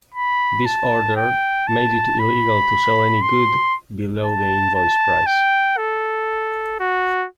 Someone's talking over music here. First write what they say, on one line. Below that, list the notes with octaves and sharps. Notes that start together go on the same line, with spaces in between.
This order made it illegal to sell any good below the invoice price.
B5
A5
G5
A5
B5
C6
A5
A5
G5
A4
F#4